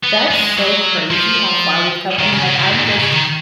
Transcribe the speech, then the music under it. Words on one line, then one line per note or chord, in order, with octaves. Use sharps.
That's so crazy how far we've come, I mean, like, I'm just
B3
G#3
F#3
F3
D#3
C#3
C#3
F3
G#2
A#2
C#3
D#3